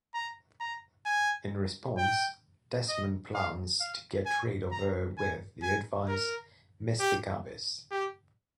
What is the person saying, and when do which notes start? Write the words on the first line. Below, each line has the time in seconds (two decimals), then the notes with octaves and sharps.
In response, Desmond plans to get rid of her with the advised "Mystic Abyss".
0.14 A#5
0.60 A#5
1.06 G#5
1.98 G5
2.89 D#5
3.34 F5
3.80 F5
4.26 G#5
4.71 A#5
5.17 G#5
5.63 G#5
6.08 A#4
7.00 G4
7.91 G4